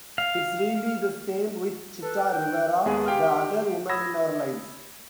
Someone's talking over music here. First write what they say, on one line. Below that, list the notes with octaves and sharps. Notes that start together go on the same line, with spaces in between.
It's really the same with Chita Rivera, the other woman in our lives.
F5
A4 B4
G5
D#2 G#3 B3 G#4 G#5
G4 F5 G5 C6 F6
B5 D#6 E6 G#6 A#6